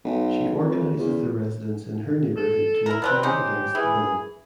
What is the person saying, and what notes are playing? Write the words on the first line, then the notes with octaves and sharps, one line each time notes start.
She organizes the residents in her neighbourhood to appeal against the bill.
B1
F2
E2
A4
E4 A#4
B2 G3 C4 B4
C#4 D#4 G4 C5
E3 G#4